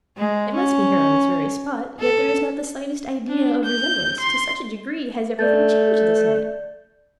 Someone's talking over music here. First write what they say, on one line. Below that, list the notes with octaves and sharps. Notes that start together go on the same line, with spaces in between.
It must be here on this very spot; yet there is not the slightest idea of resemblance, to such a degree has everything changed this night!
G#3
C#4
A4
D4
G6
C6
A3 D5 G6 A6